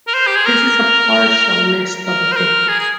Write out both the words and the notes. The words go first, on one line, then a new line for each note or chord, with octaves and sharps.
This is a partial list of affixes.
A#4
C5
G4
G#4
A#4
A#4
C5
A#4
G#4
G#4